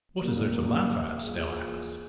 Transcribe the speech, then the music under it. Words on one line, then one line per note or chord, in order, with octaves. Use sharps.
"What is there to laugh at?" Stella asked.
A#2 G3 A#3
E3 A#3 F4 G#4